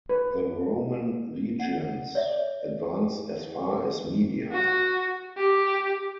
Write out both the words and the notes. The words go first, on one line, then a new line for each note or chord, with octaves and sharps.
The Roman legions advanced as far as Media.
B4
F#5
C#5 D5 E5
F#4
G4